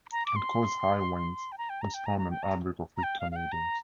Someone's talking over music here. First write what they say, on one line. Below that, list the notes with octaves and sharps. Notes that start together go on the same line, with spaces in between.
It caused high winds and spawned an outbreak of weak tornadoes.
A#5
D6
C6
G5
A#5
G5
A#5
G5
A#5
A#5
G5
A#5
A#5
G5
F5
F5
G5
A#5